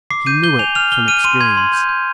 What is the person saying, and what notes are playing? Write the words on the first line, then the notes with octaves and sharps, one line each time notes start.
He knew it from experience.
D6 C7
G6 D#7
G6 G7
G#5 F7
F6 F7
F6 G7
F6 D#7
C6 D#7
C6 G#6
C6
G6
G6